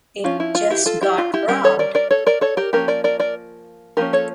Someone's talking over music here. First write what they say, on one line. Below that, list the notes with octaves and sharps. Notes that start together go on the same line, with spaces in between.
It just got robbed.
F3 C#4 F4
E4
F4
E4 G4
F4 A4
E4 G4
F4
E4 G4
G3 C#4 G4 A#4
A4 C#5
A#4 D5
A#4 D5
A4 C#5
A#4 D5
A4 C#5
G4 A#4
F3 A#3 C#4 G4 A#4
A#4 D5
A#4 D5
A#4 D5
F3 A#3 C#4 G4 A#4
A4 C#5